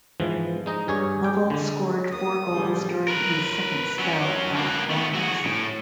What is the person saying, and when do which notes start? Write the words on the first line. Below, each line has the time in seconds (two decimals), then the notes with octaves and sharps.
Lovell scored four goals during his second spell at Bournemouth.
0.20 G#2 E3 F3
0.66 G#3 D#4 D#5
0.88 G2 G#4 C#5
1.24 G5
1.50 D3 G#3
2.12 F#3 A#3 D#6
2.50 A2 D3 F3 G3 G4 G#4
3.08 A#4 B4
3.99 F#3 C#4
4.57 A#3 B4
4.90 A3 B3
5.14 F#4 G#4
5.45 A2